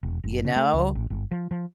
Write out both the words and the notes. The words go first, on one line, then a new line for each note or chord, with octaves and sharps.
You know?
E1
F#1
C#3
A3
C#2
A1
G1
F3
F3